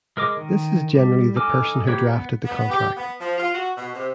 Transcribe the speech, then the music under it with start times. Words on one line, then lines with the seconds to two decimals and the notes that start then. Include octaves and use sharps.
This is generally the person who drafted the contract.
0.17 G#3 A#4 D#5 D6
0.37 D#3
0.95 G3
1.36 D#4 A4 G#5 D6 F6
1.87 A#3 G4 B4 C#5
2.08 B3
2.44 B3
2.69 G4
2.96 B3
3.19 F3
3.37 F4
3.53 F#4
3.76 B2
3.95 C3